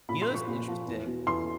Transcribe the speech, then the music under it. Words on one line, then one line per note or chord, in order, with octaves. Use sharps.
You know what's interesting?
A#2 B5
C6
F3
C#6
A#2
F3
E2
B2
E2 C6